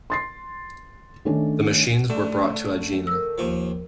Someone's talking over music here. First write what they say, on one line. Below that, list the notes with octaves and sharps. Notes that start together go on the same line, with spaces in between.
The machines were brought to Aegina.
C6 A6 C7
D#3 A3 C#4 D4
D3 A3
A#4 E6
D#2 F3